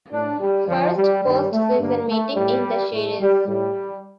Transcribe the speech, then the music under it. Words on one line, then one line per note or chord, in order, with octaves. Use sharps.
First postseason meeting in the series.
A2 D4
G3
F2 D3 F3
G3
G2 D#3 G3
A3
G2 D3 A#3
A3
A2 G3
A2 A3
G3
A2 G3